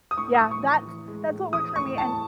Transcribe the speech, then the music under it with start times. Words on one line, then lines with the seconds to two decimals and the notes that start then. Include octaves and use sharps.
Yeah, that's that's what works for me, and
0.11 D#6
0.18 A2 C#6
0.35 D#6
0.40 A2
0.51 C#6
0.63 E3 C#6
0.86 E3
1.08 G#3
1.30 A2
1.52 E3 D#6
1.76 A2 C#6
1.98 A2 A5